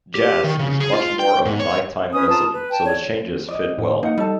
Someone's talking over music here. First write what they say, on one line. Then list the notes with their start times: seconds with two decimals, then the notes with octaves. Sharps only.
Jazz is much more of a night-time listen so the changes fit well.
0.15 G4
0.44 D#3
0.59 C#3
0.80 G#4
0.93 F4
1.19 G5
1.45 G#2
1.60 C#5
2.13 C#4 B4 D#6
2.29 F4 A5 A#5 D#6
2.54 B4
2.71 G5 A5
2.85 C#5 D5
3.48 D5 D#5
3.78 A2
4.03 A#3 D#4 F#5
4.18 G3 D#4 A4 A5